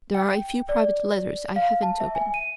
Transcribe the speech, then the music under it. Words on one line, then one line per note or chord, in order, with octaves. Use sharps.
There are a few private letters I haven't opened.
G5
D5
F5
A5
E5
G#5
D#7